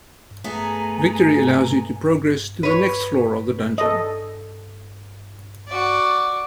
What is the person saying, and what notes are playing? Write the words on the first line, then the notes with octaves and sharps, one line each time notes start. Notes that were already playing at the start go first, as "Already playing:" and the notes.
Victory allows you to progress to the next floor of the dungeon.
A3 B3 G#4 G#5 A#5
B4 C#5
A4 D#5
F#4 D5